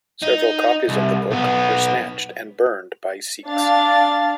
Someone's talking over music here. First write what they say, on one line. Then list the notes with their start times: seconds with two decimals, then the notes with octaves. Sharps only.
Several copies of the book were snatched and burned by Sikhs.
0.22 D#4
0.88 C2
1.30 B1 B3
3.48 D4 F5 A6